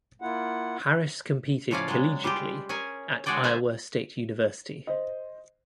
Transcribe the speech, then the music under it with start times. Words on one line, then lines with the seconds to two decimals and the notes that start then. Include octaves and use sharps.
Harris competed collegiately at Iowa State University.
0.22 A#3 E4 F4 F#5
1.71 A2 C#3 F3 C#4 D5 F5
1.88 F#3 G#3
2.24 G3 G#3 F4 G4
2.69 C#4 G#4 A#4 G#5
3.26 D3 G#3 F#4 G#4 D5 G5
3.44 C5 E5 F5 G#5
4.87 C5 D#5